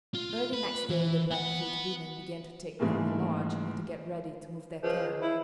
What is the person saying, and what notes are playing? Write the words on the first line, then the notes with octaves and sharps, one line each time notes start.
Early next day the Blackfeet women began to take down the lodge and to get ready to move their camp.
F4
B4
E3
B3 F#5
G#2 C#3 E3 G3 A3 A#3
C#2 F3
E4